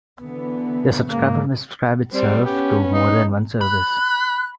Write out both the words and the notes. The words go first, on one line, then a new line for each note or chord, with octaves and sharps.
The subscriber may subscribe itself to more than one service.
D3 E3 B3
G#2 C#3 A#3
G3 C4 C5
B3 C#4 G4
D#4
B5 F#6